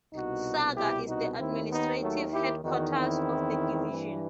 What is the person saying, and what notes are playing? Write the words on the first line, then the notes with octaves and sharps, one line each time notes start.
Sagar is the administrative headquarters of the division.
C2 B2 D#4 F#4
E4 G4
D#4 F#4
D#2 D#3 C4 E4
B3 D#4
F#3 A3
E4 G4
E2 D#3 D#4 F#4
C4 E4
G2 E3